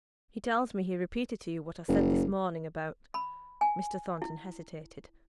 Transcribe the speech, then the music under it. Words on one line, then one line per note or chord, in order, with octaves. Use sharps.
'He tells me, he repeated to you, what I said this morning about--' Mr. Thornton hesitated.
F#1
B5
G#5
E4